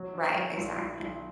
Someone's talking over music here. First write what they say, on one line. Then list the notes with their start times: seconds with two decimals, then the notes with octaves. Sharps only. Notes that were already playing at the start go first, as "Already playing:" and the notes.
Right, exactly.
Already playing: F#3
0.13 D4
0.35 F#3
0.57 B1
0.78 B1
0.99 B1